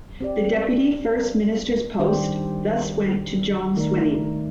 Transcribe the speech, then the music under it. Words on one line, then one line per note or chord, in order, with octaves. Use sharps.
The Deputy First Minister's post thus went to John Swinney.
C4 G4 D5
D#3 G3 D4 G4 C5
D#3 A3 D#4 A#4 D5